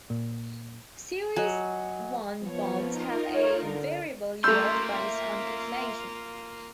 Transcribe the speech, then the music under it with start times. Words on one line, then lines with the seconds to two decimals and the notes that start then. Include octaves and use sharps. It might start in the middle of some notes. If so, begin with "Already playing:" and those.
Series I bonds have a variable yield based on inflation.
0.10 A#2
1.36 F#3 D#5 F#5 G#5
2.42 F3 B3 C#5
2.88 D#4 F4 A#4
3.33 C#5
3.62 D3
4.44 A3 A#3 F4 E5 C6 E6 G6